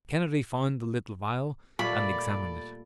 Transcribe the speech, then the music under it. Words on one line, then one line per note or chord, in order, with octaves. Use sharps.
Kennedy found the little vial and examined it.
A#2 G3 A3 A4 D5 B5